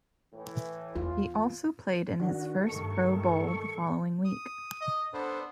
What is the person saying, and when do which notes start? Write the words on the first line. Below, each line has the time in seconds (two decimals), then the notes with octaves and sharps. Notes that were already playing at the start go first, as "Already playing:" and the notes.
He also played in his first Pro Bowl the following week.
0.33 A2 E3
0.95 E2 F4
2.20 D#3 D4 F#4
2.67 G2 D#3 A3 A4 C#6
4.25 D#6
4.81 D#5
5.13 B3 D4 A4 C5